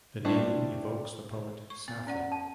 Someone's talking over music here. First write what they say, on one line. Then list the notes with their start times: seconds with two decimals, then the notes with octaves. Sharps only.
The name evokes the poet Sappho.
0.25 G3 A3 C4 D4 E4
1.70 C#6
1.88 B3
2.07 C#4 D5 F#5
2.32 A5